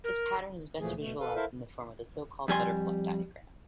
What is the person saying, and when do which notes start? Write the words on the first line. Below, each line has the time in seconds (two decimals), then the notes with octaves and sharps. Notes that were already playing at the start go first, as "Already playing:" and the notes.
This pattern is best visualized in the form of the so-called butterfly diagram.
0.04 A#4
0.80 D2 A#2 E3 F3 A3 G#4
0.99 B2 A3
1.20 A4 B4 F5
1.35 E4 A4 A#4 C5 E5 F5
2.48 F2 G3 G#5 C6